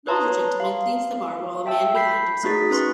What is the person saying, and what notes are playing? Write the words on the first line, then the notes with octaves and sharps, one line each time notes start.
An older gentlemen cleans the bar while a man behind observes.
B4 C#5 A5 A#5 C6 D#6
F5 C6
E5 G5 A5 E6
B5 G6 B6 C7
A3 D#4 F#4 G#4 A6 B6
C#4 B4 C6 C#6